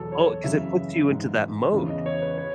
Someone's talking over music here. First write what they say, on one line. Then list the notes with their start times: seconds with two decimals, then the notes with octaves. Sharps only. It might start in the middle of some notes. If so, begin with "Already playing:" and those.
Oh, 'cause it puts you into that mode.
Already playing: E2 B2 F#3 A4
0.12 C#5
0.44 F#2 C#3 E3 E5
1.08 G#2 E3
1.72 E2 C#3 E3
1.89 D#5
2.06 C#5
2.22 B4
2.38 C#5